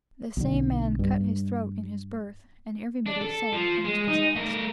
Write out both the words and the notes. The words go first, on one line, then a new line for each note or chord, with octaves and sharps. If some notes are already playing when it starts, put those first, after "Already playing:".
The same man cut his throat in his berth, and everybody said he was possessed.
B1 D3
G2
D4
A4
F3
G#3
D#4
A3 A#4